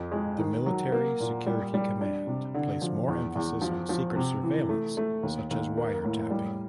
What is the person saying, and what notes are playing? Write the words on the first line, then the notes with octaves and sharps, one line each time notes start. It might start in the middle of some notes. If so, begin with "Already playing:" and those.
The Military Security Command place more emphasis on secret surveillance such as wiretapping.
Already playing: F2
G#3
D#3
F#3
A#3
A#2
G3
G3
D4
C3
D3
F3
E2
E2
F3
F3
C3
E3
A3
A3
D#2
D#2
A#3
A2
G3